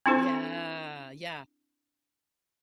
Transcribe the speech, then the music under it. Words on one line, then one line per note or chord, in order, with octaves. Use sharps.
Yeah, yeah.
C4 D4 E4 F4 A4 C5